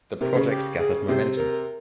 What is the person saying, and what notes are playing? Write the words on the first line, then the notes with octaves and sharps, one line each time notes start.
The project gathered momentum.
C3 A#4
C#3
G4
G#4
C3 C5
A#4